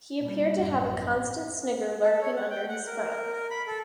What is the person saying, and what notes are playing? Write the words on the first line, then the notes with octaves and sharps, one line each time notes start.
He appeared to have a constant snigger lurking under his frown.
A#2 G3
A1 F#2
A4
C#5
F#5
G5
F#5
A#4
A#4
A#4
B5
A4